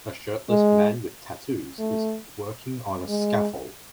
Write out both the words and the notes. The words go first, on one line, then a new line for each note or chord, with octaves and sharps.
A shirtless man with tattoos is working on a scaffold.
G#3
A3
G#3